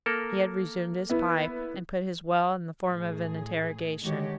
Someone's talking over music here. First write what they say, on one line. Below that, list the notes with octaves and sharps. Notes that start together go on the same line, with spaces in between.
He had resumed his pipe, and put his 'well' in the form of an interrogation.
A#3 A4 A#4
B3 E4
A2 G#4
D3 D#3 G#3 F#4 G4 C#5